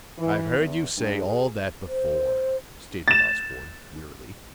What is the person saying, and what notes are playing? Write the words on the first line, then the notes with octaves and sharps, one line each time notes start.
"I've heard you say all that before," stated Osborne, wearily.
E3
E2
G2
G#4
C5
A6 E7